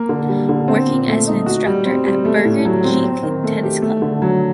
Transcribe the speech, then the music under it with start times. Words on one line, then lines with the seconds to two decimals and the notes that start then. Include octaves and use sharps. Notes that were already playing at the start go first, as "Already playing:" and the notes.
Working as an instructor at Burger Dijk Tennis Club.
Already playing: A#3
0.09 D3
0.29 G3
0.49 D3
0.68 C4
0.88 A#2
1.08 A3
1.27 D#4
1.46 F#4
1.66 G3
1.86 C4
2.06 G3
2.25 A3
2.45 A2
2.65 F#3
2.84 C4
3.04 C4
3.23 D#3
3.44 A3
3.63 G4
3.82 A3
4.02 D3
4.22 F#3